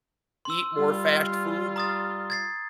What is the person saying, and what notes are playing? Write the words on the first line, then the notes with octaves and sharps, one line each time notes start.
eat more fast food,
C6 E6
G3 F4
A#5 D#6 A6
G#6 A6 C7